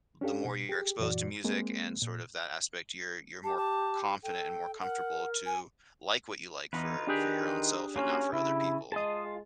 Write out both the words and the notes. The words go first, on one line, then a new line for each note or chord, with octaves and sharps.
the more you're exposed to music and sort of that aspect, you're you're more c confident and more comfortable to like what you like for for your own self and not for other people.
C#4 D4 G4 A4 F5
B2
G4 G#4
F#2 A#2 E3 F#4 D5
G#3 A#3 C4
A#2
G4 A5
A5
A4 G5
A#4 F#5
G#5
E2 D#4 F4 B4
D#3 D4 G4 G#4
A#3 C#4 F4 F#4
C#3 E4
G#3 F4 G#4 D#5 A5